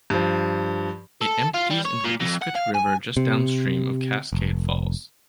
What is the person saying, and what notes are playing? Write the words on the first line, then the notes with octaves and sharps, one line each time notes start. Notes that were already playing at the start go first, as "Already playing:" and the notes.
It empties into the Iskut River just downstream of Cascade Falls.
G2 F3
A4
F4
G3
C#5
A#2
F2
F#5
F5
G#5
C3
F1